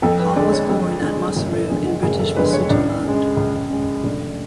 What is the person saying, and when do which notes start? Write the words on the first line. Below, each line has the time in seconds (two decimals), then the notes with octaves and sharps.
Hall was born at Maseru in British Basutoland.
0.02 F2 A4
0.19 B4
0.36 D3 G#3 D5
0.52 C#5
0.69 F2
1.02 D3 G#3
1.36 F#1 C#5
1.53 A4
1.69 F2 D3 G#3 G#4
1.86 F#4
2.02 F#1 G#4
2.19 A4
2.36 F2 D3 G#3 B4
2.53 C#5
2.69 C#2 D4
3.03 C#3 G#3
3.37 C#2
3.69 C#3 G#3
4.04 F1 D4